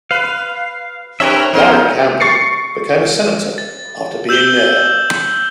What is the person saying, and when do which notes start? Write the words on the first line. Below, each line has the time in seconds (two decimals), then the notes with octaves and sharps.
Larry Campbell became a Senator after being mayor.
0.11 B4 F5
1.20 C4 G4 A#4 B4 C#5 E5
1.54 B3 C#4 D#4 A#4 C5
2.20 C#6 A6 C7 C#7
3.58 A6
4.29 E6 G6 E7 F#7 G7